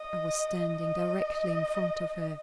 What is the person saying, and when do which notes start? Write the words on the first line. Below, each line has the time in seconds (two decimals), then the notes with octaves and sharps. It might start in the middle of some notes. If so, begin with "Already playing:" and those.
I was standing directly in front of her.
Already playing: D#5
0.76 D#5